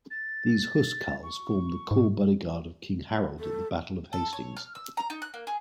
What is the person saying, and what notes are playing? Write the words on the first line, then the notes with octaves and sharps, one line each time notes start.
These huscarls formed the core bodyguard of King Harold at the Battle of Hastings.
A6
C#6
G#2
A4
A4
C#5
F6
E6
A#5
D#4
F#6
A#3
G#4